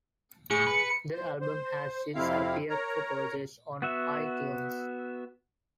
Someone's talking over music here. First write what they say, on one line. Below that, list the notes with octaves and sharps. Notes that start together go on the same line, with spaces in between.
The album has since appeared for purchase on iTunes.
A2 G#4 C#7
B4
C5
C5
F2 C3 C4 E4 F5
A#4 C#5 A#5
B3 F#4 E5